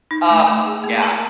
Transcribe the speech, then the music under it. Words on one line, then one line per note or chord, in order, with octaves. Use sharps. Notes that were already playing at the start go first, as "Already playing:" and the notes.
Ugh, yeah.
D#4
A3
A3
G#4
A#3
A#4